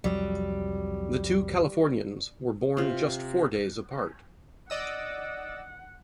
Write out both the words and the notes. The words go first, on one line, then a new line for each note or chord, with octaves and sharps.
The two Californians were born just four days apart.
C2 F2 F#3 G3
C3 F4
D5 D#5 F#5 E6